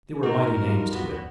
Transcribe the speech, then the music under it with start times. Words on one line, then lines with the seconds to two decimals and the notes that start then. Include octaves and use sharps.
They were mighty names to him.
0.23 D#4 F#4 A#4
0.60 G3 D4 F4
0.90 B3 F#4